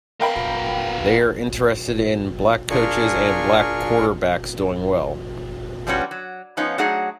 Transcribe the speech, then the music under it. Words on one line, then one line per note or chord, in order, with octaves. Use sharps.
They're interested in black coaches and black quarterbacks doing well.
B3 A#4 F5 G5 B5
D4 F4 G#4 A#4 G#5 C#6
F3 G3 B3 C#4 F#4
F#3
F3 B3 C#4 D#4 F4
F#3 A3 D4 D#4 G#4 F#5